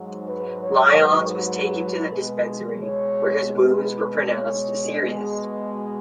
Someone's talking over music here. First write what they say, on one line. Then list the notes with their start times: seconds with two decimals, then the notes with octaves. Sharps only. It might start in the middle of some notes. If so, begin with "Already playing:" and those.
Lyons was taken to the Dispensary, where his wounds were pronounced serious.
Already playing: G#2 F#3
0.27 B4
0.63 C#5
1.00 B4
2.10 B2 G#3
2.83 C#5
3.56 B4
4.28 C#5
5.01 B2 G#3 G#4